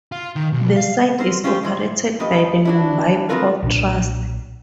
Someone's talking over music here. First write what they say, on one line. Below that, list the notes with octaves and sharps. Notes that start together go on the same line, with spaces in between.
The site is operated by the Mumbai Port Trust.
F4
D#3
B1
F5
C4 A#4 C5
C#4 F4 G4 G#4 C5
G#2 E3 C5
F#2 F3 G4 B4 D#5
F#3 D4 E4
A3 B3 C4 F4 A#4 B4
B1 A#2 D3 D4